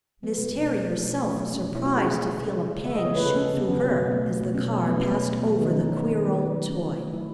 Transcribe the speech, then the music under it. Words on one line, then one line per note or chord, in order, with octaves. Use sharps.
Miss Terry herself was surprised to feel a pang shoot through her as the car passed over the queer old toy.
F#3 B3
B2
B2
A3 C#4
F#3
B2
B2
A3
F#3
B2 C#4
C#4
B2
E4
A3 F#4
G#3 G#4
C#3
G#3
C#3
G#3
C#3
G#3 E5
C#3 D#5
C#5
G#3 B4
C#3 A4
C#4
G#3
C#3 B3
F#3 C#4
B2
B3
B2
A3
F#3
B2
B2 C#4
A3
F#3 B3
B2 C#4
B2
A3
F#3 B3
D#3
D#4
D#3 C#4
A3 B3
F#3
B3
D#3
D#3 B3
A3
F#3
B3
D#3 C#4
D#3
A3
F#3 E4